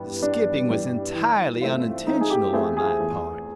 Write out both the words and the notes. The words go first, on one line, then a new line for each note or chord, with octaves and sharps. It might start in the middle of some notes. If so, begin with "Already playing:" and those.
The skipping was entirely unintentional on my part.
Already playing: G2 E3 G3 B3
G2 D4
E3 G3 B3
E3
A3 C4 F4
E3 D#4
G#4
G4
A3 C4 F4 G#4
G#4
E2